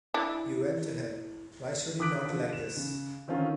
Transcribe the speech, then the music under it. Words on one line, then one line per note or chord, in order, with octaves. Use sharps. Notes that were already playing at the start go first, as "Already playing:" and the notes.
You went to help. Why should he not like this?
D4 E4
D3 D6 D#6 F#6 B6 D7
D3 F3
E7
C#3
D3 D#3 C4 C#4 F4